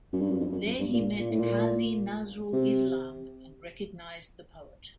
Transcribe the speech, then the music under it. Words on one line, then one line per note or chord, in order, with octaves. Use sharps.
There he met Kazi Nazrul Islam and recognized the poet.
F#2
G2
F#2
F2
F#2
F#2
G2
A#2
A#2
A2
A#2
C3